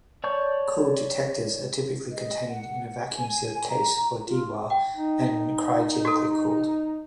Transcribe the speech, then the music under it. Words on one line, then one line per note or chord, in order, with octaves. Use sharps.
Cooled detectors are typically contained in a vacuum-sealed case or Dewar and cryogenically cooled.
C#5 D5 A5 C#6 G6
D#5
F#5
G#5
A#5
F4
G5
D#4
F#4 A4